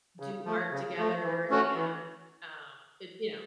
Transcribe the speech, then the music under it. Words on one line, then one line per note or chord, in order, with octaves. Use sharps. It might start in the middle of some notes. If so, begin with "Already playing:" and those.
do art together, and, um it you know?
C#3
F3 A3
C#3
F3 A3
E3
A3 C#4 F#4
E3